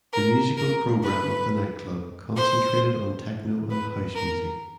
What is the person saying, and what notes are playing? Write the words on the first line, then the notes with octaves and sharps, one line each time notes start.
The musical program of the nightclub concentrated on techno and house music.
A#4
A#4
B4
C5
B4
A#4